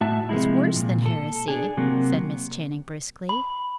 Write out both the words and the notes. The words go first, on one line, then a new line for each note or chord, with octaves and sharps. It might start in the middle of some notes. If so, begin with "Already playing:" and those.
"It's worse than heresy," said Miss Channing briskly.
A2 F#4 E5 A5
C3 F3 G#3 E4
A#2
A4
D4 G#4
C3 F#3 A#3
B5